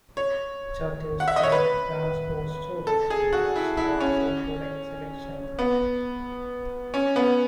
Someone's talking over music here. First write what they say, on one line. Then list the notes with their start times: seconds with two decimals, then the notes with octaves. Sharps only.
Chapters built large box stores with a much larger product selection.
0.17 C#5
1.20 F#5
1.28 E5
1.36 D#5
1.43 C#5
1.52 B4
2.87 A4
3.10 G#4
3.33 F#4
3.56 E4
3.77 E4
4.00 C#4
5.59 B3
6.94 C#4
7.16 B3